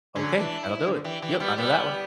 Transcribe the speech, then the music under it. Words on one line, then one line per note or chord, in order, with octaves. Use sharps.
Okay, that'll do it, yep, I know that one.
D3 F#3 C#4
E3 D4
E4
D3
E3 G4
E3 G4
G3 B3 G4
G3 B3